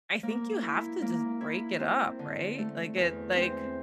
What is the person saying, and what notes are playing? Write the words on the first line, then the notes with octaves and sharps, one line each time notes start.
I think you have to just break it up, right? Like, the like,
A#3
E4
A#3
E4
C4
D3
A3
E2
C4